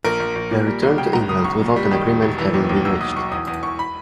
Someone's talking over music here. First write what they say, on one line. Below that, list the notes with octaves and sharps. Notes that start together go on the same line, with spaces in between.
They returned to England without an agreement having been reached.
A#1 A#4
A#1
A#1
A#2
G3
B1
C#3 G5
C#2 A#5
C#3 D#6
B1 C#6
A#2
G3
D#3
E1
E1
E3
D#2
D#2
B1 E6
B1 D#6
B1 C#6
E2 D#6
E2 D#6
E2 C#6
B5